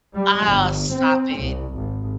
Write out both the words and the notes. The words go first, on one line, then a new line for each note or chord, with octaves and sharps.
Oh, stop it.
G3
G1
C4
C2
G#1